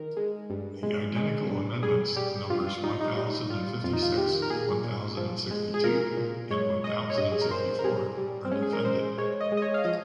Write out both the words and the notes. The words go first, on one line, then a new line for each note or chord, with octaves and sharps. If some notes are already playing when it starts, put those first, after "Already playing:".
The identical amendments numbers one thousand and fifty-six, one thousand and sixty-two and one thousand and sixty-four are defended.
Already playing: D#3 A#4
G#3
G2
G#3
G#3
G2
G3 G#4
G3 G4
G2 F4
F4
G3 D#4
D#4
G3 D#4
G3 F4
F2 F4
D#4
F4
D#3 G4
A#4
A#2 G#4
A#2
F3
G#3
G#4
A#2 A#4
A#2
G#3 C#5
G#3 D#5
C#5
G2 D#5
G#4
A#4
G2 C5
A#4
G3 G#4
G3
C4
G#3 C#4
G#4
A#4
G#3 C5
G#3 C#5
D#5
G#3
D#5
C#5
F5
F3 D#5